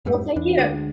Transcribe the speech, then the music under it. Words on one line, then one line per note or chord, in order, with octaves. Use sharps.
Well, thank you,
F2 G#2 G3 A3
E2 E3 D4
D2 D3 G#3 D4